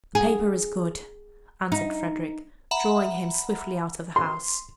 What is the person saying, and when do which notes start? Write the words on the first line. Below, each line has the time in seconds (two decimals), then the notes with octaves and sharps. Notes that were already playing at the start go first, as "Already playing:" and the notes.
"The paper is good," answered Frederick, drawing him swiftly out of the house.
0.15 G#4
1.72 D#4
2.71 E5 F#5 A#5 B5
4.16 C6